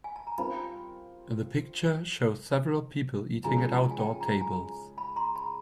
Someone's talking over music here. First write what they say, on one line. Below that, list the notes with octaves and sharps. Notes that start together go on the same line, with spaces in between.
The picture shows several people eating at outdoor tables.
G#5
A5
A#5
G3 C4 F4 A#4 A5 B5
C#3 F3 G#3 G#5 A#5
A5
G#5
G5 A5
A#5
A5
G#5 A#5
A5 B5
A#5 C6
A5 B5